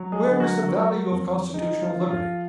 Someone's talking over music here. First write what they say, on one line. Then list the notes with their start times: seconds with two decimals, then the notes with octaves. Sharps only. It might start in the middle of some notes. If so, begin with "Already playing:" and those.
Where is the value of constitutional liberty?
Already playing: F#3
0.12 G#3 G#4
0.26 D3
0.40 F#3 F#4
0.69 F#3 A#3 F#4
1.11 F2
1.54 G#3 D#4
1.83 F4
1.96 F3
2.10 F4